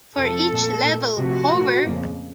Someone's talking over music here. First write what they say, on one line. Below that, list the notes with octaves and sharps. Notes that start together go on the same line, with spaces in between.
For each level, Hover!
F2 C3 F3 A4
A#2 A3
A#2 A3
C3 F3 A3 F#4
A#2 A3
F2 C#3 F3 A#3